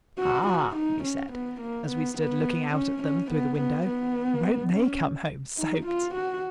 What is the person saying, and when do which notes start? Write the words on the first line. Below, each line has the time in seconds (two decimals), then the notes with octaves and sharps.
"Ah!" we said, as we stood looking out at them through the window, "won't they come home soaked!"
0.19 F#4
0.47 F#4
0.76 D#4
1.04 C#4
1.32 B3
1.61 A#3
1.89 B3
2.18 B3
2.74 C#4
3.03 C#4
3.31 B3
3.59 B3
3.87 B3
4.73 C#4
5.57 D#4
5.86 F4
6.14 F#4